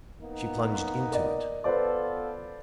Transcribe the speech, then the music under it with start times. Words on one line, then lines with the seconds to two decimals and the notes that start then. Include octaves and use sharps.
She plunged into it.
0.21 A#3 B3 D#4
1.12 A#4 D5 D#5
1.64 B3 F4 A4 B4 C5 D5